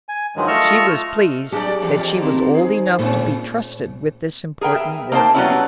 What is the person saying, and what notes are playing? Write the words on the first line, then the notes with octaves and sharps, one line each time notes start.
She was pleased that she was old enough to be trusted with this important work.
G#5
G2 D#3 F3 F#3 G#3
A3 F4 D#5 C#6 E6 F6
F#3 D4 G4 G#4 D5 A5
F2 E3 A#3
D#3 C4
G#4 C5
A#2 G#3 C4 C#4
G#4 A#4 B4 G5
E5
A#3 D#4 C5 F#5 G5 A5
F#3 G3 A3 B3 C#4 E4